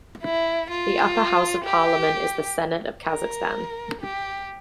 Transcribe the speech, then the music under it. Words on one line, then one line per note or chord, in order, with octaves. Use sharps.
The upper house of Parliament is the Senate of Kazakhstan.
E4
F4
G4
A#4
G4